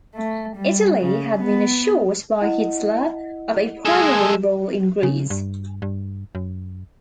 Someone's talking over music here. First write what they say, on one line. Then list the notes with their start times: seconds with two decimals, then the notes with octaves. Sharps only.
Italy had been assured by Hitler of a primary role in Greece.
0.15 A3
0.56 G3
1.04 C#3
1.39 B3
2.41 E4 D#5 F#5
3.85 G#3 G#4 A4
5.03 C#3
5.30 G2
5.82 G2
6.35 F#2